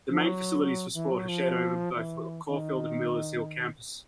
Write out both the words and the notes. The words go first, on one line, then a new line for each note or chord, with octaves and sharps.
The main facilities for sport are shared over both Caulfield and Wheelers Hill campus.
F3
F#3
E3
F#3
F3
E3
D#3